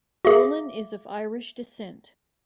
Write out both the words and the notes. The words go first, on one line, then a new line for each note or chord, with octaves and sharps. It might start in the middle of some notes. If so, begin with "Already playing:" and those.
Dolan is of Irish descent.
F#4 G#4 E5 F5 D6